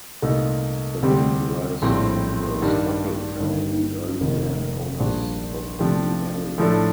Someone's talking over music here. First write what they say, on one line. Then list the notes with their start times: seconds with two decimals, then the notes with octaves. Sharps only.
The name derives from the Schroeppel family, early land owners of the area.
0.22 C2 A#2 A3 D#4 A4
1.02 D2 C3 G3 C4 G4
1.82 A#1 A2 G3 C4
2.61 G2 D#3 G3 D4
3.40 G1 G2 D#3
4.20 F1 D#2 D#3 A#3 D#4
4.99 A#1 A#2 G3 D4
5.79 C3 F3 A3 D4 G4
6.58 A2 F3 A3 D4 A4